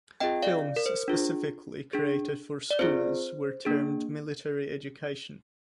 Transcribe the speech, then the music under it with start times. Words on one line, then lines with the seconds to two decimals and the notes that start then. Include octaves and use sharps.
Films specifically created for schools were termed military education.
0.20 C4 F4 G#4 D#5 G5
0.42 D5 F5
0.76 A#4
0.86 C5
1.08 D4 F4 G#4
1.93 D4 G#4
2.71 D5
2.79 C4 F4 G#4 C5
3.65 A#3 D4 G#4